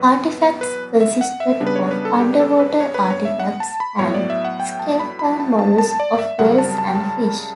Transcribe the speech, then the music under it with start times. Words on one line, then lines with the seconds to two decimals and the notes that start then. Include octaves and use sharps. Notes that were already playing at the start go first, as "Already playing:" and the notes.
Artifacts consisted of underwater artifacts and scaled-down models of whales and fish.
Already playing: E2 B2 F#3 B3 B4
0.61 B4
1.00 E5
1.21 F#5
1.40 E5
1.60 C#3 G3 B3 D4
1.67 B4
1.76 C#5
1.91 B4
2.05 A4
2.20 G4
2.33 B4
2.40 A4
2.60 B4
2.80 C#5
2.94 B4
3.10 C#5
3.25 E5
3.40 F#5
3.60 A5
3.80 B5
3.99 A2 F#3 B3 C#5
4.14 D5
4.30 E5
4.44 F#5
4.60 G5
4.79 A5
4.99 B5
5.19 B5
5.40 A5
5.59 A5
5.78 A5
6.00 D5
6.19 E5
6.39 F#2 C#3 G3 F#5
6.58 A5
6.78 A5
6.87 G5
6.95 A5